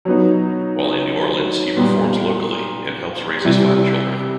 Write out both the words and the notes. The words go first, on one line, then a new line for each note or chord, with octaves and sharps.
While in New Orleans he performs locally and helps raise his five children.
F#3 B3 D#4
A#2 G3 B3
C3 E3 G3